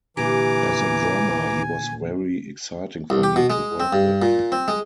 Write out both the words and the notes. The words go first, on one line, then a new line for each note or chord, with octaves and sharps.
As a drummer, he was very exciting for me to work with.
A#2 D3 E3 G4 G#5 A#5 D6
C2
G4
B2
G#3
C4
G2
A#2
C4
G#3